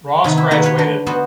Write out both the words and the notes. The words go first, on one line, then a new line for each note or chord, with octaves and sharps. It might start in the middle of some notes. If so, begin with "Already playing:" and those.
Ross graduated.
C3 D#3 B3
E4
D#3 A#3 F#4 B4
B4 C#5
D3
B3 F#4 C5 D#5